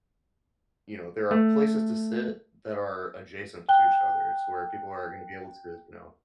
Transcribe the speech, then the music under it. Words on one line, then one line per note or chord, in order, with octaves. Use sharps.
you know, there are places to sit that are adjacent to each other. It's where people are gonna be able to, you know,
A3
G5 F#6 G7